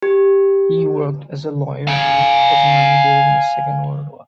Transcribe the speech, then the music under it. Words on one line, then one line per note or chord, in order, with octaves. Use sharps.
He worked as a lawyer in Poznan during the Second World War.
G4
F5 G#5